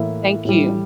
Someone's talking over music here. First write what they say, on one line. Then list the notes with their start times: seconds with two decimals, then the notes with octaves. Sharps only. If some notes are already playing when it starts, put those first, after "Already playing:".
Thank you.
Already playing: A2 E3 A#3 E4
0.45 A2 E3 G3